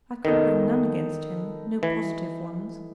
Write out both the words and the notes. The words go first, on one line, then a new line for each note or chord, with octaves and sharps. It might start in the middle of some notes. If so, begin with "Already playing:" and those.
I could bring none against him--no positive ones.
D#3 B3 D#4 A4 D#5
E3